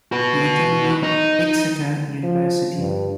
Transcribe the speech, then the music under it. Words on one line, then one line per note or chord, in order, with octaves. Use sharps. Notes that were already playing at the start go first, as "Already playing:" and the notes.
He attended Exeter University.
F#4 B4
D#4
F3
G2